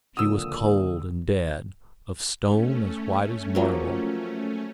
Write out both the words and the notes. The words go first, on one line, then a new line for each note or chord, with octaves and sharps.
She was cold and dead--of stone as white as marble.
C#2 A#2 D3 F3 F#4 D#6 E6
A3 C#4
F3 F#3 A#3